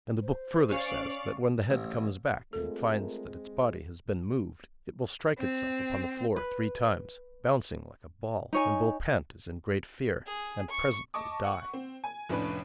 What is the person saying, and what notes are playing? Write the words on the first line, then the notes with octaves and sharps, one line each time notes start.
And the book further says that when the head comes back and finds that its body has been moved, it will strike itself upon the floor three times,--bounding like a ball,--and will pant as in great fear, and presently die.
C5
C#4 D5 F5 C#6
A1
G#3 A3 C4 F4 A4 A#4
C4
B4
D#4 C#5 G#5
G#4
C#6
D#5 A5 C#6 D6
F#5 C#6
C4
G#5
F1 A2 C#4 D4 B4